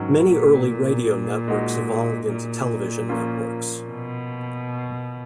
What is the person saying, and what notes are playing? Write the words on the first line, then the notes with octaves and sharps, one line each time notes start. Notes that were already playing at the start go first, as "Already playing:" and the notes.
Many early radio networks evolved into Television networks.
Already playing: G#2 D#3 F#3 C#4
A#2
G#3 D#4 F#4
A#2
F3 A#3 C#4 F4
B2